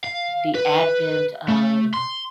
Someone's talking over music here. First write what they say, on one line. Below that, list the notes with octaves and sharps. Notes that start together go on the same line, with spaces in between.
the advent of
F5
B4
A3
C6